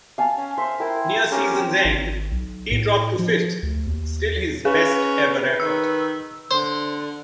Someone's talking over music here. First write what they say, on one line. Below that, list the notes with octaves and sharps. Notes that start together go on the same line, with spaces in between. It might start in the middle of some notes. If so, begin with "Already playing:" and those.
Near season's end, he dropped to fifth, still his best ever effort.
F5 G#5 A5
C#4
C5 E5
E4 A#4 G5
C#4 G4 A#4
C4
G#1
B1
A2
F3
D2
D#2
C#4 G#4 B4
D#3 E6
D3 C5